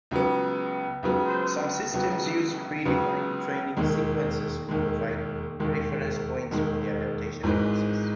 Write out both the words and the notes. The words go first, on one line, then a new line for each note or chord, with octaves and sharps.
Some systems use predefined training sequences to provide reference points for the adaptation process.
C#2 C#3 F#3 B3
C#2 C#3 F#3 B3
C#2 C#3 F#3 B3
C#2 C#3 F#3 B3
E1 D#2 D#3 G#3
E1 D#2 D#3 G#3
E1 D#2 D#3 G#3
E1 D#2 D#3 G#3
G#1 G#2 E3 G#3